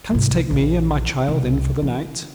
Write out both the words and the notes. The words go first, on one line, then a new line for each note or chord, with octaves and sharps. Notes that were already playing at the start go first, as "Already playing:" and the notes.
"Canst take me and my child in for the night?"
C2 G#2
A#1 E3
C2
E3